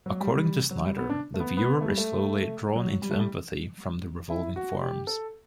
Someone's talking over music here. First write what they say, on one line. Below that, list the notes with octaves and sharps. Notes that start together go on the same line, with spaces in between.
According to Snyder, the viewer is slowly "drawn into empathy with the revolving forms".
F#3
G3
F#3
G3
B3
D4
A3
B3
B3
B3
A3
G3
A3
F#3
G3
A3
G3
E4
F#4
G4
A4